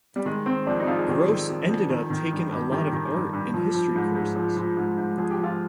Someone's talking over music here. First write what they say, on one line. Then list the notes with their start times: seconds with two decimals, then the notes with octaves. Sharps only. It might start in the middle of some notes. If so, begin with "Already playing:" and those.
Gross ended up taking a lot of art and history courses.
0.16 G3
0.25 D#3 G#3
0.46 D#3 C4
0.67 F2 D4
0.80 D#4
0.87 F2 F4
0.99 G#4
1.08 D#3 G4
1.28 D#3
1.49 F2
1.69 F2
1.90 D#3
2.10 D#3
2.31 G2
2.52 G2
2.71 D#3 G4
2.93 D#3
3.13 G2
3.33 G2
3.54 F3
3.74 F3
3.96 G#2
4.15 G#2
4.36 F3
4.57 F3
4.77 G#2
4.97 G#2
5.17 F3 G#4
5.30 G4
5.39 F3
5.44 F4